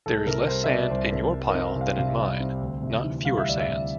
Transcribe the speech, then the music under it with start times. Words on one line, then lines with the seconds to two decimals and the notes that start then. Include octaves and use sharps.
There is less sand in your pile than in mine, not fewer sands.
0.06 C2 A4
0.26 C3 A#4
0.44 A#4
0.47 G3 C5
0.64 E5
0.69 C4 D5
0.90 C2 C5
1.12 C3 A#4
1.34 G3
1.49 A#4
1.55 C4
1.75 C2
1.81 F5
1.97 C3 F5
2.18 G3
2.40 C4
2.61 D2
2.83 C3
3.04 E3
3.25 G3 F5
3.37 E5
3.47 D2 D5
3.60 E5
3.67 C3